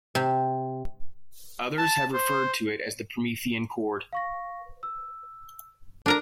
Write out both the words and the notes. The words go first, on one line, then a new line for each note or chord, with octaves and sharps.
Others have referred to it as the "Promethean chord".
C3
A5
C5
F5 C#6 A#6
E6
D4 A4 A#4 A#5